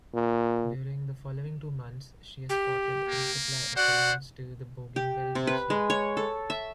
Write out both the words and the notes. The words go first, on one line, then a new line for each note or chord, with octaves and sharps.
During the following two months, she escorted resupply echelons to the Bougainville beachhead.
A#2
G4
A#3
F#4 C5 D5 F#5
G4
C3
B4
G#3
C#5
A4
E5